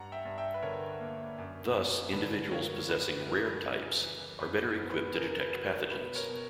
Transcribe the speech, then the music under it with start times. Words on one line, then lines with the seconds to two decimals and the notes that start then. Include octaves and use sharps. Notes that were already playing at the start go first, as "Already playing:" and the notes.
Thus, individuals possessing rare types are better equipped to detect pathogens.
Already playing: G2 F#5 A#5
0.12 E5 G5
0.25 G2
0.38 E5 G5
0.54 B4
0.62 D3 A#4 C#5
1.00 A#3
1.38 F#2
1.76 B3
2.13 D3 B4
2.51 F#3 A#4 C#5
2.89 F#2 B4
3.26 G3 A#4
3.46 B4
3.64 C#3
4.02 E3
4.40 F#2 B4
4.65 B4
4.77 B3
4.90 B4
5.15 C#3 A#4
5.40 B4
5.53 F#3
5.66 A#4 C#5
5.91 B2 B4
6.15 A#4 C#5
6.29 B2